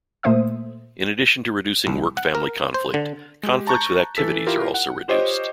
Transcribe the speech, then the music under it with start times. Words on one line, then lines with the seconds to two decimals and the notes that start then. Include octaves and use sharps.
In addition to reducing work-family conflict, conflicts with activities are also reduced.
0.23 A#2 A3 A#3 C5 E5 D#6
1.87 C2
2.17 F#5
2.35 A#4
2.74 C5
2.94 D3
3.43 G#3 G4
3.67 A5 A#5 C#6 F#6 G6
4.17 E3 A4 B6
4.47 E4 F4 G4 A#4
4.74 F#5
5.08 F4 G4 C5 C#5 D#5